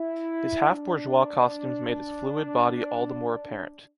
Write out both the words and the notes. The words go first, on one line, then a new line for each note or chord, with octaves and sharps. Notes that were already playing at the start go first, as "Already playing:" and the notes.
His half-bourgeois costumes made his fluid body all the more apparent.
Already playing: E4
D4